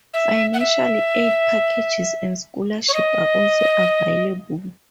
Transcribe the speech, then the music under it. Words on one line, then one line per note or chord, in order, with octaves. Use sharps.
Financial aid packages and scholarships are also available.
E5
F#5
E5
C#5
D#5